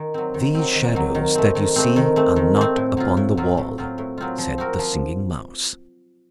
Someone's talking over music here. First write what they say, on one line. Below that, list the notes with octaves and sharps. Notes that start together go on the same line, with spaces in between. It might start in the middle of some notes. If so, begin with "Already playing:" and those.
"These shadows that you see are not upon the wall," said the Singing Mouse.
Already playing: D#3
F#3 C4
D#3
F#3 C4
D#3
F#3 C4
D#3
A3 C4
D#3
A3 C4
D#3
A3 C4
D#3
A3 C4
A2
F#3 C4 F4
A2
F#3 C4 F4
A2
F#3 C4 F4
A2
F#3 C4 F4
F3
C4 F#4 A#4
F3